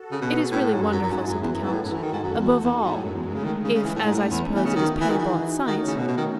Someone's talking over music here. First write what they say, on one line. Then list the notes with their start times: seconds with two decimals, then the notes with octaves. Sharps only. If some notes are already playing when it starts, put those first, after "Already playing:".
"It is really wonderful," said the count; "above all, if, as I suppose, it is payable at sight."
Already playing: F#4 A4
0.11 C#3
0.21 B2 G#4 B4
0.51 A2 F#4 A4
0.73 G#2
0.81 F#2 F#4 A4
0.92 F#2
1.02 F#2
1.12 G#2 E4 G#4
1.26 F#2
1.42 E2 G#4 B4
1.53 F#2
1.63 G#2
1.72 A2 F#4 A4
1.83 F#2
1.92 E3
2.02 D#3
2.13 G#2
2.24 F#2
2.34 E2
2.63 E2 D#4 F#4
2.83 G#2
2.93 A2 G#3
3.03 F#2
3.15 E2
3.24 F#2 A3
3.34 C#3
3.44 D#3
3.54 G#3
3.64 C#3
3.75 C#3
3.84 E3 A3
3.95 A2
4.05 G#2
4.14 A2 A3 C#4
4.30 E2
4.45 B3 D#4
4.55 E3
4.65 C#3
4.75 D#3 D#4 F#4
5.00 E3
5.06 D#3 E4 G#4
5.19 E3
5.36 D#4 F#4
5.66 D#3 A3 C#4
5.87 C#3
5.96 B2 A3 C#4
6.07 B2
6.17 D#3